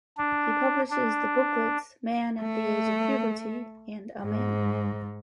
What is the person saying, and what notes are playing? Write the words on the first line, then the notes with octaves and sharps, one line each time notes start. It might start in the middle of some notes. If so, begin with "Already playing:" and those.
He publishes the booklets "Man at the Age of Puberty" and "A Man".
D4
D4
A3
G#2